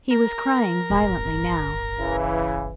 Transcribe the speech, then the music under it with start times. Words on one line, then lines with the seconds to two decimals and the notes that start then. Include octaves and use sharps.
He was crying violently now.
0.11 A#4
0.90 D1 G1
1.99 C#3 E3